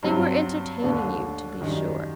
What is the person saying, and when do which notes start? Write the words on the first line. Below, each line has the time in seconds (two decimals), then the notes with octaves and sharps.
They were entertaining you, to be sure.
0.03 G2 F#3 C4
0.82 D#2 D3 A3 D4
1.61 F#2 D#3 G3 D4